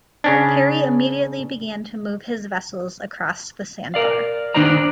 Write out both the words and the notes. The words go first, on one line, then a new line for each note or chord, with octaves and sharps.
Perry immediately began to move his vessels across the sandbar.
C#3 C#4 D4
A#4 D5 F5
D#3 D4 D#4 C5 D5 A#5